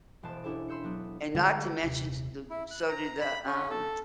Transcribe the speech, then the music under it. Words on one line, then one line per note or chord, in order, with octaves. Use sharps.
and not to mention s the so do the, um,
E1 B3 C5 A5 D7
C#4 D4 E4 G4 A4
B5 C6 E6 G6 C#7
F#3 B3 D4
D3 G3 G#3
D#1 C3
E4
F#6
A#5
B5
C#4
A4